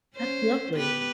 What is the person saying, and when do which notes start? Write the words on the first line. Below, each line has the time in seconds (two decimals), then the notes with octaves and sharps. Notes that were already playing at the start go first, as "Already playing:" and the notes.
That's lovely.
0.15 C#4 C5
0.74 B3 G4 B4